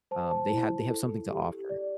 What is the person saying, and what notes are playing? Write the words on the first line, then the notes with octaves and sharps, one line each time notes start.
um, they have, they have something to offer.
C5 A5
A5
E4
A4
G4
D5